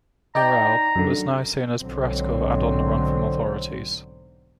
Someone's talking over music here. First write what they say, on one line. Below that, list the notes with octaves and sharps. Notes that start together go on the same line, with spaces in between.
Morrell, was now seen as piratical and on the run from authorities.
D#4 D5 G5 A#5
F#2 D3
B1 G#2 D3 F#3 C4